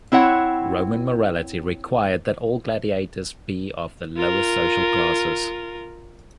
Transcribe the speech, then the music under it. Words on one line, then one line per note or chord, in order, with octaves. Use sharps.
Roman morality required that all gladiators be of the lowest social classes.
C4 E4 C#5 F#5
F4 A#4